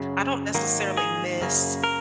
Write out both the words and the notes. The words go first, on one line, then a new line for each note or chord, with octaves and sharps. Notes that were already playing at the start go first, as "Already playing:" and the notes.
I don't necessarily miss,
Already playing: F#2 C#3 F#3
G#2 D#3 F#3 A#3
G#4
F#2 C#3 A#3
A#4